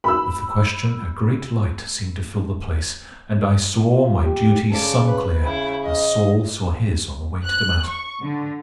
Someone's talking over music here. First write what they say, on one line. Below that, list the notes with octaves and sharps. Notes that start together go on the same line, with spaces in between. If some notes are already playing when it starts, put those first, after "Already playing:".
And with the question a great light seemed to fill the place, and I saw my duty sun-clear, as Saul saw his on the way to Damascus.
B5 E6
F4
G4
C#3 A4 D5
B4
C#3 E4
D#5
F#6
C#6
D3